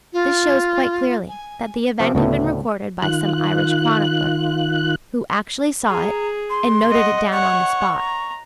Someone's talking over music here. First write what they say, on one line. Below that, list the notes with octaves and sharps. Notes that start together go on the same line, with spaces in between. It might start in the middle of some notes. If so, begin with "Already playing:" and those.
This shows quite clearly that the event had been recorded by some Irish chronicler, who actually saw it and noted it down on the spot.
F4
G#5
C3 F3 C4
D2 A2 C#3 A3 B3
D#3 F4 F#6
G#4 A#5
C6
D#5 F#5
C#5 F#5 C#6
A#5